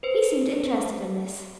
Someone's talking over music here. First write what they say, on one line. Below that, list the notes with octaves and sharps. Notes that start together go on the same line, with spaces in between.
He seemed interested in this.
B4 C5